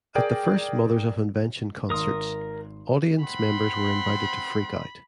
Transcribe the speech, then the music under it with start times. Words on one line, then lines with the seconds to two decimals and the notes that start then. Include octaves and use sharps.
At the first Mothers of Invention concerts, audience members were invited to freak out!
0.15 G#4 A#4 D5 G5
1.90 G#1 A#4 C6 D#6
3.24 C4 F#5 B5 C6